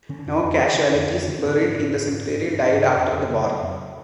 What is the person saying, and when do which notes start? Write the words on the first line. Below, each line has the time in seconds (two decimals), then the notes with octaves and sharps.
No casualties buried in the cemetery died after the war.
0.09 D3 C#4
0.19 D4
0.27 F2 C#4
0.44 F2
0.60 D3
0.77 D3 C#4
0.94 F2
1.10 F2
1.28 D3
1.39 C#4
1.44 G#2 C4
1.61 G#2
1.78 G#2
1.95 G#2
2.12 G#2
2.29 G#2
2.45 G#2
2.62 G#2
2.79 C#3
2.96 F2
3.12 F2 F#3
3.30 C#3
3.46 C#3 F#3
3.63 F2